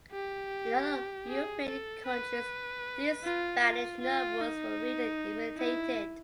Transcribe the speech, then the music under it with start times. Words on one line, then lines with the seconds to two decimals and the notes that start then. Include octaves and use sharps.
In other European countries, these Spanish novels were read and imitated.
0.12 G4
1.28 G#4
1.68 A4
2.07 B4
3.24 F4
3.63 F4
4.02 F4
4.41 D#4
5.57 E4